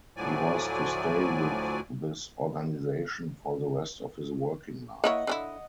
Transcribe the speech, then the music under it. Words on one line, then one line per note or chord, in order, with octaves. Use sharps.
He was to stay with this organisation for the rest of his working life.
D2 A2 F3 F#3 D5 G#5
A#3 E4 C#5 D#5 F#5
D3 C#4 E4